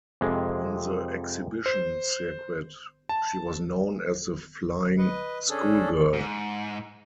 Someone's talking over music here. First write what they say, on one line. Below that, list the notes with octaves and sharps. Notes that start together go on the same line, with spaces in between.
On the exhibition circuit, she was known as the Flying Schoolgirl.
F2 C3 G#3
C5
A5
B4 D#5
C#4 D4 G#4 A4
G#2